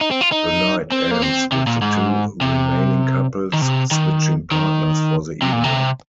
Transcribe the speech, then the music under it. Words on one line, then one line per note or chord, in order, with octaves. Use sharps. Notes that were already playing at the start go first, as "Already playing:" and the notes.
The night ends with the two remaining couples switching partners for the evening.
D#4
C4
F4
D#4
C4
A#3
C4
C3
A#2
G#2
C3
D#3
C3
D#3
D#3
C3
A#2
C3